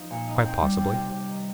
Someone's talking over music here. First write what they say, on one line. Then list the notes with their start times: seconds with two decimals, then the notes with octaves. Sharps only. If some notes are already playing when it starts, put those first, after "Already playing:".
"Quite possibly."
Already playing: F3 D#4
0.10 A#2
0.27 D#4
0.44 C4
0.61 G3
0.78 C4
0.94 C3
1.12 C3
1.29 D#3